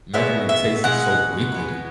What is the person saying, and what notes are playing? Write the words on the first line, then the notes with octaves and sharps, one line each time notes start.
macaroni tasted so liquidy.
B2 G#3 B3 E5
E5
B2 G#3 F#5
B2 G#3 B3